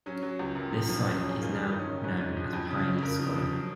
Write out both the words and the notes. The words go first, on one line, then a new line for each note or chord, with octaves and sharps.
This site is now known as Pioneer Square.
F#3 C#4
F#3
C#2
F#2
F3
F3
F#3 C#4
C#4
F2
G#4
D#3 F4
F#2
F#2 D#4
C#4
C#3
G#2 C#4
G#2
F3
F2
C#3
F2
C#3 A#4
F3
F3
F#3